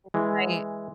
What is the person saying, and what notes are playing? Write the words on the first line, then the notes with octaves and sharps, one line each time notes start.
R right.
E3 G#3